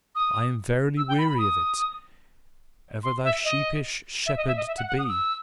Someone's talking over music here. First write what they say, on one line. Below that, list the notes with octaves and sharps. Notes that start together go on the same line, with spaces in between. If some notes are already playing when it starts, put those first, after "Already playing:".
I am verily weary of it, ever thy sheepish shepherd to be.
D#6
E6
G5
B5
B5
D#6
C6
E5
D#5
E5
D#5
E5
D#5
E5
F#5
F#5
D#6
E6